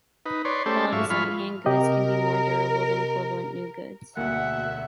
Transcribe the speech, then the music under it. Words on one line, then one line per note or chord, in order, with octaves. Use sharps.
Quality secondhand goods can be more durable than equivalent new goods.
D#4 B4
B4 C#5 D5 C6
A3 C#4 G4 A4 C5 D5
G#2 F#3 E5 F5 C#6
F3 G#3 F4 B5 C#6 F6
C3 G4 A#4 D#5
E1 D2 A#3 F#4 E5 F#5